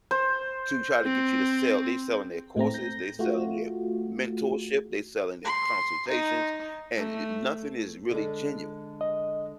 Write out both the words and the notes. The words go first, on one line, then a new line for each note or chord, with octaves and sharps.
to try to get you to sell. They selling their courses, they selling their mentorship, they selling their consultations, and n nothing is really genuine.
C5
C4
A2 A3 C4 A#5
G6 A#6
A3 F4 F#4
C6
D#4
A3
D3 G#3 A4
D#5